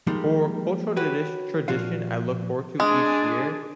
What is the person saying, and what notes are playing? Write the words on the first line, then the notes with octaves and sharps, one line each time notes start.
For cultural the dish tradition I look forward to each year,
F3 G3 G#3 A#3 D#4
F#4 G4 B4 C#5
A#2 F3 F4 F#4 F5
G#3 D4 G#4